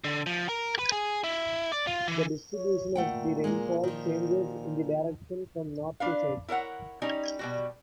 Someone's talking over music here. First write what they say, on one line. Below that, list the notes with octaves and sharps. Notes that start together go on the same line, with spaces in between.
The distribution of the rainfall changes in the direction from north to south.
D3
F3
A#4
B4
G#4
E4
D5
F4
E3
C#5
A#2 A3 F#5 G5
G#3 A#3
D#3 F3
D4 B4 F5
E4 A#4 C#5 F#5
G3 C#4 D#4
B2 G3 F#4